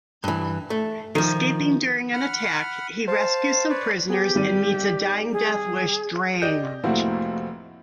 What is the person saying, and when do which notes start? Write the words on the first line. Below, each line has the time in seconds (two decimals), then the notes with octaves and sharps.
Escaping during an attack, he rescues some prisoners and meets a dying Deathwish Drang.
0.24 G2 E3
0.70 A3
1.15 D#3 F3
2.14 F#5 B5 F6
3.08 C5 F5 A5
3.70 B4 C#5 D5
4.09 B3 G4 G#4
4.34 G#1 G3 D#7
5.32 G#4
6.42 G4 D5 D#5 G6
6.83 F1 A2 A#3 C4 E4 F#4